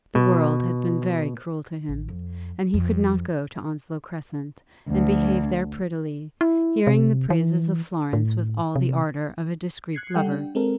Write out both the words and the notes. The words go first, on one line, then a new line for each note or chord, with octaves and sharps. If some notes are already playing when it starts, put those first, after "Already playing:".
The world had been very cruel to him, and he could not go to Onslow Crescent, and behave there prettily, hearing the praises of Florence with all the ardor of a discreet lover.
B2
A1
F2
F2
D2
E4
C3
E3
A2
C3
F#6 G#6 C7 C#7
G3 A4 F#5 G5 G6
D4
G#3 C4 A4 A#4